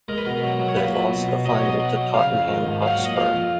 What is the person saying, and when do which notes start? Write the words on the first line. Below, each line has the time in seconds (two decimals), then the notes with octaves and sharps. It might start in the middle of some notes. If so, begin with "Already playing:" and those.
However they lost the final to Tottenham Hotspur.
0.08 G#3 A#4
0.18 B4
0.25 B2 A#4
0.43 F#3
0.60 F#3
0.68 C#5
0.77 A#2 B4
0.95 F#3
1.11 B2
1.28 B2
1.45 F#3 D#5
1.55 C#5
1.63 B2 D#5
1.80 F#3
1.96 F#3
2.14 C#3 F5
2.30 F2
2.48 D#3
2.65 G#2
2.82 F#3 F5
2.94 F#5
2.99 A#2
3.05 D#5
3.16 F3 F5
3.34 F2